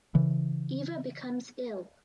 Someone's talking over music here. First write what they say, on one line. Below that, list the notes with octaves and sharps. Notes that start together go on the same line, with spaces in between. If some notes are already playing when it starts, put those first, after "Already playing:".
Eva becomes ill.
C#3 E3